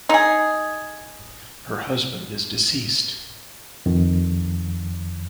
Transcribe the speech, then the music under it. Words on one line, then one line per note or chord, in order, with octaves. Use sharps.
Her husband is deceased.
D#4 G#4
F2 D#3